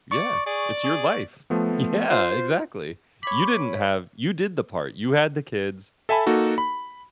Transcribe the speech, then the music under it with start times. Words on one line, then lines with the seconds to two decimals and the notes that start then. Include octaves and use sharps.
Yeah. It's your life. Yeah, exactly. You didn't have you did the part, you had the kids,
0.11 D5 C#6
0.46 G#4 D5
0.84 G#4
1.50 F3 A3 B3
2.10 F4 C5
3.23 C#5 B5 D6
6.09 A4 E5 G#5 A5 B5
6.26 A#3 D#4 F#4 A4
6.58 B5